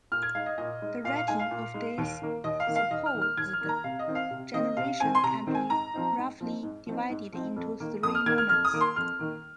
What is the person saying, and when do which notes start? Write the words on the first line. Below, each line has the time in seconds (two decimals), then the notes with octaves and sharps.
The writing of this supposed generation can be roughly divided into three moments.
0.12 A#2 F6
0.23 G#6
0.35 G#3 D#4 F5
0.46 D#5
0.58 A#2 D#5
0.82 G#3 D#4
1.04 A#2 F5
1.16 F5
1.28 G#3 D#4 G#5
1.39 F5
1.51 A#2
1.74 G#3 D#4
1.98 D#2
2.21 D#3 A#3
2.44 D#2 D#5
2.60 F5
2.67 D#3 A#3
2.76 F5
2.91 D#2 D#5
3.06 F6
3.14 D#3 A#3
3.22 F6
3.37 D#2 G#6
3.53 F6
3.61 D#3 A#3
3.69 A#5
3.84 C3 F5
3.99 D#5
4.07 D#3 C4
4.15 F5
4.31 C3
4.53 D#3 C4 D#5
4.77 C3 F5
5.00 D#3 C4 G#5
5.15 C6
5.23 C3 A#5
5.47 D#3 C4
5.55 G#5
5.70 G#2 A#5
5.94 F3 C4 D#4
6.17 G#2
6.40 F3 C4 D#4
6.63 G#2
6.86 F3 C4 D#4
7.09 G#2
7.33 F3 C4 D#4
7.56 F2
7.80 D#3 A#3
8.03 F2 D#6
8.15 F6
8.26 D#3 A#3 G#6
8.38 F6
8.49 F2 F6
8.65 D#6
8.73 D#3 A#3
8.81 C6
8.96 F2 F6
9.19 D#3 A#3